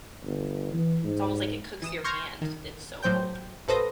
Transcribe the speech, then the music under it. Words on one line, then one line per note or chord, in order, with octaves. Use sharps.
it's almost like it cooks your hand, it's so cold.
G1
E3
G#2
E3 D#6 E7
C6 C#6 F6 G6 G#6 A#6
D#3
A2 F#3 C5 G5 G6
A1 A4 B4 C5 D#6 A#6